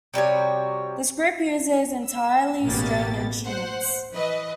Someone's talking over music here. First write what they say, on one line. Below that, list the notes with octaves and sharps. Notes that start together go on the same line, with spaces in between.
This group uses entirely string instruments.
C3 G3 F#4 C#5
E6
A1 B2 A#3 B3 G4 A6
C5 F#5
E3 B4 D#5